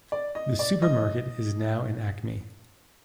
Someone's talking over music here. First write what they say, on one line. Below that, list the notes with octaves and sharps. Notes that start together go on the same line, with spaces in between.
The supermarket is now an Acme.
D5
D#5
D5
D#5